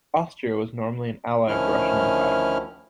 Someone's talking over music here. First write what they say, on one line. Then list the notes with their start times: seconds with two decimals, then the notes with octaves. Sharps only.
Austria was normally an ally of the Russian Empire.
1.48 D2 D#3 F3 C#4 E4 F6